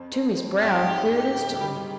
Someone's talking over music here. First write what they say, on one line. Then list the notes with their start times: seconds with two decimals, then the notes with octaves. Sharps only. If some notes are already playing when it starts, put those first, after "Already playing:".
Toomey's brow cleared instantly.
Already playing: F2 C4
0.12 C4
0.37 C4
0.61 G#2 G4
0.86 G#2
1.10 G#2
1.35 C#3
1.60 G3